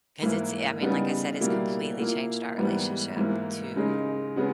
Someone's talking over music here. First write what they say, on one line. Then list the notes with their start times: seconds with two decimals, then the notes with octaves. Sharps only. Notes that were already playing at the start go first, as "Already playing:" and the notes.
'Cause it's I mean, like I said, it's completely changed our relationship, too.
0.22 G#2 E3 A#3 E4
0.81 C#3 G3 B3 D#4
1.41 B2 G3 A#3 E4
1.99 A#2 A#3 E4
2.58 G#2 E3 G3 B3
3.17 G#2 E3 A#3 E4
3.76 C#3 G#3 D#4
4.36 C#3 G#3 B3